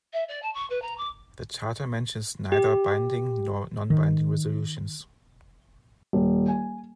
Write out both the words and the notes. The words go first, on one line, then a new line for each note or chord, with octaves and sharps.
The Charter mentions neither binding nor non-binding resolutions.
E5
D5
A5
C#6
B4
A#5
D6
G4
D#3
D#1
G#5